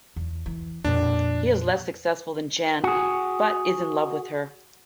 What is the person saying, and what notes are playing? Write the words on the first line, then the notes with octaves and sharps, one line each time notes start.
He is less successful than Jen, but is in love with her.
E2
E3
F2 A#2 D4
F#4 G#4